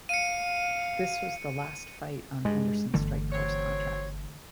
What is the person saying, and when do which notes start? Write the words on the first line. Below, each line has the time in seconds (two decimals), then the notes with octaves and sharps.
This was the last fight on Henderson's Strikeforce contract.
0.09 F5 C#7 D#7
2.45 G2 G#3
2.94 G1 D3 E3 A3
3.32 F#3 C4 C#5